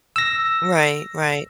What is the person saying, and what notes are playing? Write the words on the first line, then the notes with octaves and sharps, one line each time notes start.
Right, right.
E6 A#6